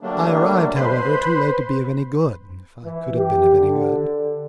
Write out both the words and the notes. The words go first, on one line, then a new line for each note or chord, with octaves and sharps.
I arrived, however, too late to be of any good if I could have been of any good.
D3 F#3 G3 A3 A#3 D4
B4 C5 B5 C6
E3
G4
D3